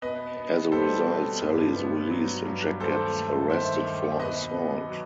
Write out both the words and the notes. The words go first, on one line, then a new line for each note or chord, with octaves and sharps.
As a result, Sally is released and Jack gets arrested for assault.
B2 B4 D#5
B3
G3 A4 C5
B2
G2
B3
F#3
G2
D#2 A4 C5
A3
D#3 C5 E5
D#2
B2 B4 D#5
B3
F#3